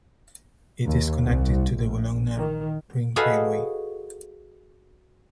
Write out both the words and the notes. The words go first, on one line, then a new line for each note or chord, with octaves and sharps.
It is connected to the Bologna ring railway.
D#2
C2
A#1
D#3
F#4 G#4 A4 B4 D#5 F5